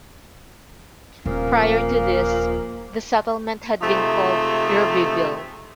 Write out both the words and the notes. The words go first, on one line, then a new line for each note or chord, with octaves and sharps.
Prior to this, the settlement had been called Irbyville.
D#1 A#2 F3 A#3
C3 G#3 A3 D#4 F4 G4